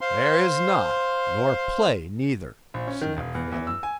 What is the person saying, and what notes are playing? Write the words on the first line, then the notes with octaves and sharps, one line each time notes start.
"There is not, nor play neither," snapped Phelan.
C5 F5 C6
A#1
C#4
D#3
E1
E2
E2
E6
G#5